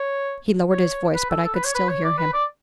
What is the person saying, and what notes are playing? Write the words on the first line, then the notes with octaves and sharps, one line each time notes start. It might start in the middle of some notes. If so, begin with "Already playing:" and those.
He lowered his voice; but I could still hear him.
Already playing: C#5
C#5
B4
A4
A4
B4
C#5
B4
C#5
D5
B4
D5